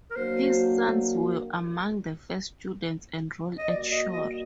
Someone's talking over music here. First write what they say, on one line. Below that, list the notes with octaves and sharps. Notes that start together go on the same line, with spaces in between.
His sons were among the first students enrolled at Shore.
A#4
F#3 A#3 D4 F#4 C5
D#5
G3 A#3 F#4 D5
D#5
D#5